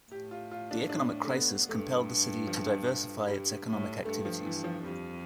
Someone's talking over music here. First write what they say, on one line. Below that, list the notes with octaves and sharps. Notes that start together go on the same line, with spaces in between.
The economic crisis compelled the city to diversify its economic activities.
A2 G4
F4
F4
D4
D4
A3
B3
G2 A3
F3
G2 G3
A2
G2 A3
F3
E3
F3
F2 G3